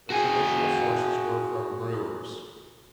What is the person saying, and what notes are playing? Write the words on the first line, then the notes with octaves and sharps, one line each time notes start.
The traditional sources were from brewers.
F#4 G#4